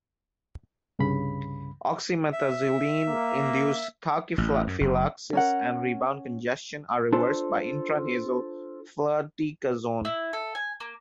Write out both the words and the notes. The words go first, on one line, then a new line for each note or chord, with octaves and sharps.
Oxymetazoline-induced tachyphylaxis and rebound congestion are reversed by intranasal fluticasone.
C2 G2 C#3 B5
E5
A#3
A1
F#2
F#1
C#4 A#4 F#5
D4 F4 A4 C5
E4
A4
G#5
A#3